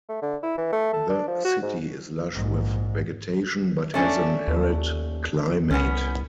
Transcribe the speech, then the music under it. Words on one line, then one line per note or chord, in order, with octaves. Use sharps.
The city is lush with vegetation, but has an arid climate.
A3
D3
E4
E3
A3
A4
D4
F3
F#4
G#2
A#1 G#2
A3 C#4 D4
D#2
C2 B3 C#4